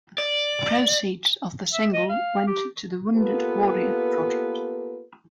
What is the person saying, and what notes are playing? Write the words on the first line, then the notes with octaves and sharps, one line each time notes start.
Proceeds of the single went to the Wounded Warrior Project.
D5
E5
D#5
F5
G4
A#3 B3 F4 G4 A4 B4